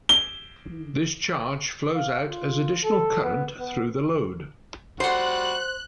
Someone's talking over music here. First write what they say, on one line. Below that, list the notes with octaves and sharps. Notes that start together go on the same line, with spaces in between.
This charge flows out as additional current through the load.
G7
F5
F4
A4
B3
B3
G3 F#4 C5 F#5 C6 F#6